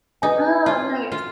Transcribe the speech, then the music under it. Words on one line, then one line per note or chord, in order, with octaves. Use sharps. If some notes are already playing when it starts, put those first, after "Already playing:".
Oh, nice.
D#4 G#4 B4 D#5 G#5
F4
F4